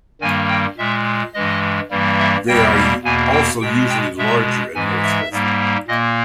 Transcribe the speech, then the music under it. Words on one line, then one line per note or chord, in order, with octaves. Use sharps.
They are also usually larger and more expensive.
G2 D#3 G3 A#3 G#5
G5
A#2 G#3 E5
G2 E3 G#3 D#5
G2 E3 G3 A#3
E5
E2 B2 G3 A#3 G5
E2 B2 A#3 G#5
G5
B2 G#3 G5
G5
B2 G#3 E5
G#2 E3 G#3 G#5
E5
G#2 G3 A#3
A#2 A#3 D#5